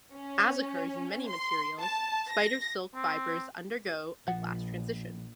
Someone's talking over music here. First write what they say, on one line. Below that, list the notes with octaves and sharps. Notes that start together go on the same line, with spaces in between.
As occurs in many materials, spider silk fibers undergo a glass transition.
C#4
C6
A5
A#6
C4
A#1 F3 F#5